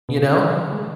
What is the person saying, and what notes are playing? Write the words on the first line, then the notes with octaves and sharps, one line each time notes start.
You know?
B2
C#3
D3
E3
F#3
G#3